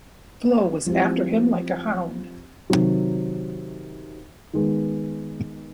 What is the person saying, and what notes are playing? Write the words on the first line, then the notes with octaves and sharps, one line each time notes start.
Flo was after him like a hound.
F3 G#3 C4 E4 G4
C3 D#3 F#3
D#3 G#3 B3